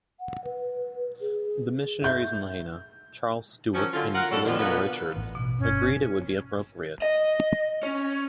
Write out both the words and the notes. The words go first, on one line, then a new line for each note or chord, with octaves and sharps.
The missionaries in Lahaina, Charles Stewart and William Richards, agreed it would be appropriate.
F#5
B4
G#4
E5 G6
D#3 F3 F#3 C#4
D3 F#3 F4
F4 A#4 F#5
F#2 F#3 G3 A4
F2 B2 D3 D#3 F3 D4
B2 D3 A#3 B3 F4 B4
A1
B2
G1 C#4
D#5
C#4